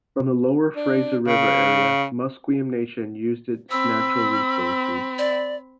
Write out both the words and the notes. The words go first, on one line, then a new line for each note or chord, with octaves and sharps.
From the lower Fraser River area, Musqueam Nation used its natural resources.
D4
C#3
C4 B5 E6
D5